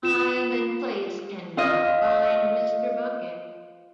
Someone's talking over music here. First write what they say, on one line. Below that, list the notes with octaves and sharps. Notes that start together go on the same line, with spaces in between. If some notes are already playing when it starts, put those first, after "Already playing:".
Time and place cannot bind Mr. Bucket.
F4 E7
F4 D#5